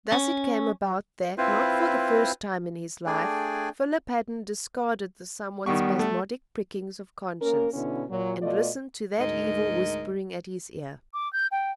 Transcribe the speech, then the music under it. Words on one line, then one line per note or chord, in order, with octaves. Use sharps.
Thus it came about that, not for the first time in his life, Philip Hadden discarded the somewhat spasmodic prickings of conscience and listened to that evil whispering at his ear.
C#4
C4 E4 F4 B4 C5
A3 D4 G#4 D5 G5 G#5
D#3 G3 B3 C#6
A3
A#3 C#4 A#4
B2 D3 B3 C#4 E4
A#2 F#3
B2 A3 F4 D5 D#5
D2 G#2 A#4 D#5
D6
G6
G5